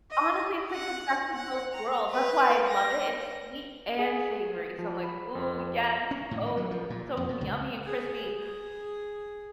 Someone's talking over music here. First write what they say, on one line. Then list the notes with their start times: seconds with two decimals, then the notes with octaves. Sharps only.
Honestly, it's, like, the best of both worlds, that's why I love it, it's sweet and savory, so, I'm like, "Ooh, yes, both! And so yummy and crispy."
0.11 D#5
0.72 F#5
1.35 F#5
1.73 A#5
2.10 B4
2.68 A#6
3.99 G#4
4.79 F3
5.04 B5
5.35 F2
6.11 C#4
6.31 A2
6.45 D#3
6.57 F#3
6.71 F3
6.90 A#2
7.17 F2
7.29 B2
7.41 C#2
7.85 G#4
8.44 G#4